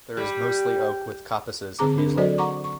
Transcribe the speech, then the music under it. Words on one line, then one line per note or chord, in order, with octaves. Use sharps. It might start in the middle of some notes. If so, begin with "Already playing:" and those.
There is mostly oak with coppices of hazel.
G3
D3 C4 G#4 A#5 D6
D4 A#4
F#3 F#4 A4 C5 D5 D#5
F#5 A#5 C#6 D6
C#6